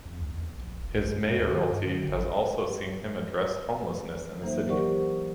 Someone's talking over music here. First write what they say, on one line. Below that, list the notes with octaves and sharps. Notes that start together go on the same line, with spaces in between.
His mayoralty has also seen him address homelessness in the city.
F2
D2
E2
A#1
E1
B1
F#2
D#2
D#3
G2
D3
G#1
E3 F#3 A#3 D#4 C5 E5
G4 A#4 C5 D5 F#5 C#6